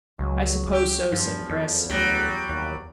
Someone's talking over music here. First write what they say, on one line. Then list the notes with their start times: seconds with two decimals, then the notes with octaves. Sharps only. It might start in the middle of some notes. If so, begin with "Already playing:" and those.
"I suppose so," said Chris.
0.19 C#2 F#3
0.73 G4
1.12 E2 G2 F3
1.50 F2
1.90 D2 F#3 G3
2.49 D#2